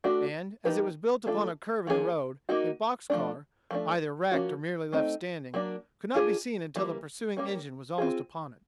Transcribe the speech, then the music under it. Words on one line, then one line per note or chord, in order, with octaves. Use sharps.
And, as it was built upon a curve in the road, a box-car--either wrecked or merely left standing--could not be seen until the pursuing engine was almost upon it.
A3 D4 F#4
F3 A#3 D#4 G4 B4
E3 A3 D4 F4 A4
F3 A#3 C#4 E4 G#4
A#3 D#4 F#4
F3 A3 D4
F3 A3 D4
F3 A#3 C#4 F#4
A3 C4 D#4
F#3 A#3 D4
D4 F4 G#4
E3 G3 A#3
G3 A#3 C#4
C4 F4 G#4